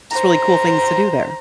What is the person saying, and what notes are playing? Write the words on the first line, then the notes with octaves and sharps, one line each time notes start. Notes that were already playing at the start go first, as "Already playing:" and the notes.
just really cool things to do there.
C5 A#5